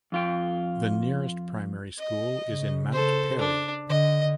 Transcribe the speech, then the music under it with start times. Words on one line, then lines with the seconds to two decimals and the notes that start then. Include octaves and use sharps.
The nearest primary school is in Mount Perry.
0.12 F2 F4 G5
1.98 D#5
2.49 C#3
2.92 A4 C5
3.39 D4
3.89 D3 D#5